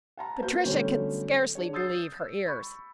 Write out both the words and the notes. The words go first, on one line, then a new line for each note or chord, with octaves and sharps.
Patricia could scarcely believe her ears.
F#5 A5 A#5
A#3 F#4 B4 C5 G6
D3 F#3 G3 A3 B3 C#4
D4 G#4 C#5
D#6 E6 G6 A6 C7
B5 C#6